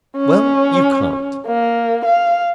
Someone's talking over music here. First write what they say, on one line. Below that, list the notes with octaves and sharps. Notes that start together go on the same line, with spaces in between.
Well, you can't.
C#4
A#3
F5